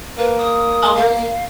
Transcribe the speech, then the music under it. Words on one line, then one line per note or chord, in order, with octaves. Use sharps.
Oh, really?
A#3 B4
D#6
F5